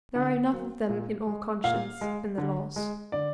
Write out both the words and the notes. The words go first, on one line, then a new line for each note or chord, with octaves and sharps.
There are enough of them in all conscience in the laws.
D3 F#5
F#3 A#3
A#2
G#3
A#2 F5
G#3
D3
G#3
D3 D5